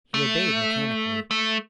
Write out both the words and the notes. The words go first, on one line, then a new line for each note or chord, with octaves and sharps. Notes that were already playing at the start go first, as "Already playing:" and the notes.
He obeyed mechanically.
A3
A3